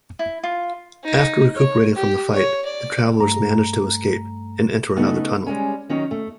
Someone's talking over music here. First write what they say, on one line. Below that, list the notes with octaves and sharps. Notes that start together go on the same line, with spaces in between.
After recuperating from the fight, the travelers manage to escape, and enter another tunnel.
E4
F4
D#4
C#5
G4
C#5
D5
G2 A3 A#5
C#3 A3 B3 D#4
G3 G#3 A#3 C#4
D#3 F#3 C#4 D#4
A3